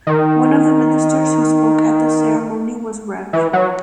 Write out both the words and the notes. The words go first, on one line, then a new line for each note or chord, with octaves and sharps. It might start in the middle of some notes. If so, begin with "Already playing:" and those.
One of the ministers who spoke at the ceremony was Rev.
D#3
E3
F#3